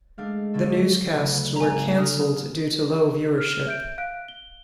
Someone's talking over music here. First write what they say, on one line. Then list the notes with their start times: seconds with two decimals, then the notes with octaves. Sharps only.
The newscasts were cancelled due to low viewership.
0.18 G#3 A3 D4 F5
0.54 D3 F#3 A4
1.16 D2 C#3
1.56 G#1 G#5 A#5
1.97 D3 D#6 F6 F#6
3.38 F6
3.67 E5 G6 D7
3.98 F5 F#6 D7
4.28 G7